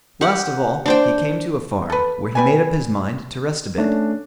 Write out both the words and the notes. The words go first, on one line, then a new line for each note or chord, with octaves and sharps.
Last of all, he came to a farm, where he made up his mind to rest a bit.
G4 F#5
D4 C5 G5
A4 B4
G3 B4 G#5
A3 C#4 D4